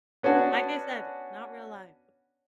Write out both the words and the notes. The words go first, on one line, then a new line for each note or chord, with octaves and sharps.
Like I said, not real life.
B3 C#4 D4 F#4